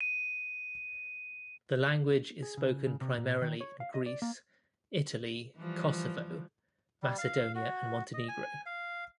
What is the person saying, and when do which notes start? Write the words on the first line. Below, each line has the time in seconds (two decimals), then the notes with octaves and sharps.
The language is spoken primarily in Greece, Italy, Kosovo, Macedonia and Montenegro.
0.01 D#7
2.43 G#4
2.57 C#3
2.87 C#3
3.01 C3
3.18 A#2
3.42 D#3
3.61 C#5
3.80 F5
3.94 D#5
4.06 D5
4.22 A#3
5.57 E3 F3 G3
7.03 G3
7.18 F5
7.55 F#4
8.14 D#5
8.28 G#5
8.66 F5